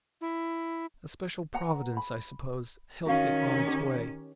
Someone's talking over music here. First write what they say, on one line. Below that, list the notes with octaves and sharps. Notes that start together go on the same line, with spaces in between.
"A special Providence, I suppose, helped it on its way."
E4
B4 F#5 A#5
B5
D#3 C#4 F#4 F5
G4 C#5